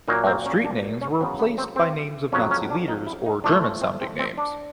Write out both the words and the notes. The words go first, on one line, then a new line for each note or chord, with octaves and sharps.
All street names were replaced by names of Nazi leaders or German sounding names.
A#2 F#3 A#3 D#4
C4
C#4
D4
C#4
C#3 F#3 B3 C4
B3
C4
C4
F2 C#3 F#3 C#4
C#4
D4
D#4
E4
D#4
A2 F3 A3 D4
C#4
C4
C4
C4
D4